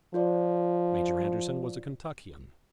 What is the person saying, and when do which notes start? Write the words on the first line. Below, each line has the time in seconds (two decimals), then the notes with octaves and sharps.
Major Anderson was a Kentuckian.
0.14 F3 F4 C5 D5